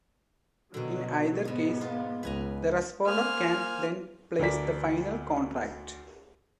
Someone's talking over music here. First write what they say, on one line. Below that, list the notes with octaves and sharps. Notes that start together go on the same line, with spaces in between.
In either case, the responder can then place the final contract.
B2 D3 D#3 F#3
G#2 B3 D#4
F4
C#2 B4 G#5 A#5
A#3 C5 G#5 F6
D2 A3 A#4 D5 B6